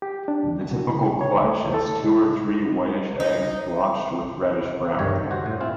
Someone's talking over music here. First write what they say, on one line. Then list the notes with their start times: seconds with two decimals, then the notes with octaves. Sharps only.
The typical clutch is two or three whitish eggs blotched with reddish brown.
0.02 G4
0.28 D4
0.71 F#4
0.95 C#3
1.21 C#5
1.44 A3
1.74 A4
2.04 G#3
3.20 D#4
4.99 G2 D#3 G4 C#5
5.19 D3 G3
5.31 F#4 C5
5.46 A2
5.60 C4 E4 F4 G#4